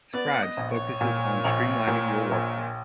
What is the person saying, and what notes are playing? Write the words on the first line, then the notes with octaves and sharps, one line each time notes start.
Scribes focuses on streamlining your workflow.
B3 D5
D#5
A#1
C#5
A#2
A#1
A#2
A#1